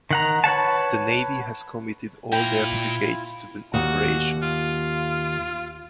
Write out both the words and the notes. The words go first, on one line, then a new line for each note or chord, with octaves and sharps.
The Navy has committed all their frigates to the operation.
D#3 F#5 A#5
B4 C#5 F#5 A5
A#2 E4 F4 A#4 G5
D#2 F#4
F4